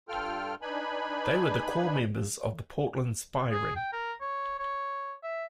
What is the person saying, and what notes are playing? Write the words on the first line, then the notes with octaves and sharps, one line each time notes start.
They were the core members of the Portland Spy Ring.
G2 F4 A4 G5 F6
D4 D#4 B4 G#5 B5
G#4
G5
A#4
C#5
C#5
E5